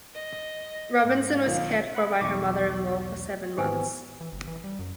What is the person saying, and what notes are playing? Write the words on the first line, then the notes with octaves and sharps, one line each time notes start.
Robinson was cared for by her mother-in-law for seven months.
D#5
G#2
B1 D#3 F4 A4 F5
F#5 B5
B1 E2 C#6 D6
G#1 E3 B3 G4 C5 G#5
E3
G1
E3
G3
F#2